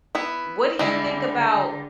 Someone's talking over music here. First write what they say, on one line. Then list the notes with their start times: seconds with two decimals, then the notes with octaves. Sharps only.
What do you think about
0.15 B3 E4
0.79 D3 G3 G#3 E4